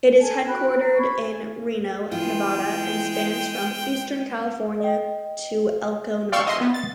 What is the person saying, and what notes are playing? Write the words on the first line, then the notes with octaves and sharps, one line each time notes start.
It is headquartered in Reno, Nevada and spans from eastern California to Elko, Nevada.
A4 A#4 G#5 A5
F#4 G5 B5 F#6
B4 A#5
C#5 B5 C#6
G#5
E3 G#3 B3 F4 G5
D#5 G5
D5 F5 G5 C6 C#6 E6
D#5 E5 C6
B3
A6